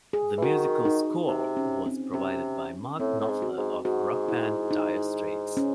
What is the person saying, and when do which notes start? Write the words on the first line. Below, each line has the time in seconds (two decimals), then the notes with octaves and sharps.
The musical score was provided by Mark Knopfler of rock band Dire Straits.
0.13 G#4
0.38 E3
0.42 D#3 F#4
0.85 D#4
1.28 C3
1.57 C#4
1.86 C4
2.14 C3 C#4
3.00 A2 C4
3.20 A2
3.28 G#2
3.42 F#4
3.57 G#2
3.85 G#2 F#4
4.28 E4
4.71 D#4
5.57 C#4